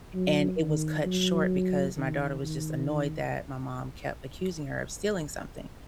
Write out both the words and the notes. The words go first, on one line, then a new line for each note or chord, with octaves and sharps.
and it was cut short because my daughter was just annoyed that my mom kept accusing her of stealing something.
F#3
D#3
F#3
D#3
D#3